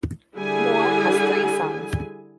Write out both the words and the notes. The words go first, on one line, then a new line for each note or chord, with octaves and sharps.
Moore has three sons.
D3 G3 E4 G#4 G#5